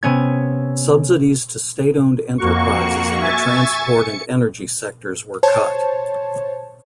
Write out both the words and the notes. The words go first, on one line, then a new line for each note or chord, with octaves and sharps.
Subsidies to state-owned enterprises in the transport and energy sectors were cut.
C3 B3 C#4 G#6
F2 A#3 F#4 C#6
E5 G#5 C#6 G#6 A6
C#7
C5 C#5 A5